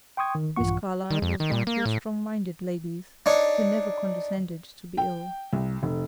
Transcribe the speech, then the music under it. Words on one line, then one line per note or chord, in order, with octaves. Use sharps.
Miss Carlyle was one of your strong-minded ladies, who never condescended to be ill.
G5 C6 C#6 D#6 G#6
D#3
A#1 G2 E3 F4 F#5 C#6
D#3
F2
D#3
A#2
A#3
A2
D4 D#4 C#5
G5
C2
F1